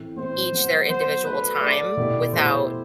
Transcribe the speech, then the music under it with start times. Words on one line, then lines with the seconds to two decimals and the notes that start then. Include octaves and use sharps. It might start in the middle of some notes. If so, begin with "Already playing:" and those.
each their individual time without
Already playing: A2 E3 A3 C4 E4
0.17 A2 E3 A3 C4 E4 C5
0.52 F#3 B3 F#4
0.89 F#3 B3 F#4 C5
1.24 A3 D4 F#4 A4 B4
1.61 A3 D4 F#4 A4 D5
1.97 B2 A3 E4 G4
2.33 B2 A3 E4 G4 C5